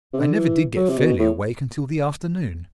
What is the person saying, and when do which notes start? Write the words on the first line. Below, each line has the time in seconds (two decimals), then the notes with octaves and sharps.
I never did get fairly awake until the afternoon.
0.13 C3
0.20 D3
0.33 E3
0.76 F#3
0.89 C3
0.98 B2
1.19 A2